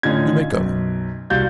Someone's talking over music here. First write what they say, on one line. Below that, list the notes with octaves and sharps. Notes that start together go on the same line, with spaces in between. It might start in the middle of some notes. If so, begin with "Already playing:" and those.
"You may go."
A2 D3 C#4 D#4 F4 G#6
B1 F#2
C2 F#4 F5 G6 A6